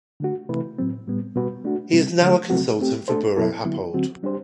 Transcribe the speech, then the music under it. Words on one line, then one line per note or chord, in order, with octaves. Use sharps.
He is now a consultant for Buro Happold.
D3 A3 D4 F#4
C3 E3 A3 E4 B4
A2 F#3 C4
A2 G3 B3
B2 G3 B3 F#4 B4
A3 D4 F#4
C3 G3 C4
D3 F#3 A3
C3 F#3 A3 C4 F#4
A3 C4 G4
A3 D4 A4 C5
B2 F#3 B3 E4 A4
D3 F#3 B3 E4
D3 F#3 C4 F#4
G3 D4 G4 C5